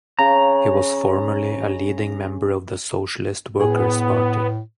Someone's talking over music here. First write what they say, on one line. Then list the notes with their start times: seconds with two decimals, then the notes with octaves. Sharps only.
He was formerly a leading member of the Socialist Workers Party.
0.19 C#3 A#5
3.60 A2 B3 G#4